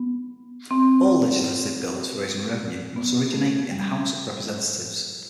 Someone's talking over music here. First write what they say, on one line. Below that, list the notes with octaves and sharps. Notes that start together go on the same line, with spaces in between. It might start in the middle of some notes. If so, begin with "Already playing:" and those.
All legislative bills for raising revenue must originate in the House of Representatives.
Already playing: B3
C4
B3
A3
G3